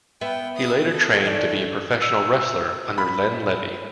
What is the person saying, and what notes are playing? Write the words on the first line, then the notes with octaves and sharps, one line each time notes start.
He later trained to be a professional wrestler under Len Levy.
B3 E5 G5
D#6
A4
D#3 E3 D5
E6
B5